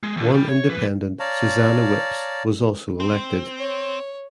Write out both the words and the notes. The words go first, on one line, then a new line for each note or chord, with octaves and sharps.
One independent Susannah Whipps was also elected.
G#3
D#2 D3
G5 B5
C#5
F3 B4
C#5 D5 F5 A5 A#5
C4
C#5